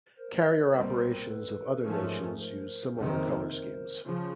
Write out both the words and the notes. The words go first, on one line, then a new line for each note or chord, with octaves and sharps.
Carrier operations of other nations use similar color schemes.
A#4 C5
C2 A#2 G3 C4
A4 B4
G#2 F3 A3 C#4 G#4 A#4
A#4 C5
F#1 F2 C3 D#3 A#4 C5
A#4 C5
C#3 F3 C5